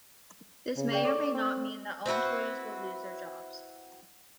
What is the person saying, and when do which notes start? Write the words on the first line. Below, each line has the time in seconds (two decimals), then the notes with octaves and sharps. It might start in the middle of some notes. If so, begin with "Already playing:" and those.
This may or may not mean that all employees will lose their jobs.
0.77 C#3
0.92 G#4 D5 G5
1.05 A4 C#5 D5 C#6
1.34 C4
2.06 C4 E4 F#4 B4